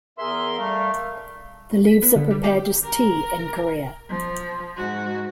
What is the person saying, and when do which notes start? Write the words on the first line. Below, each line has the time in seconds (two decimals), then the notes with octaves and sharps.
The leaves are prepared as tea in Korea.
0.18 E2 G#4 A#4 E5 C6
0.58 G3 A3 F5
1.87 B6
2.02 B3
2.16 D3
2.31 G3
2.44 G4
2.84 A#4
4.09 F3
4.77 G#2 F#4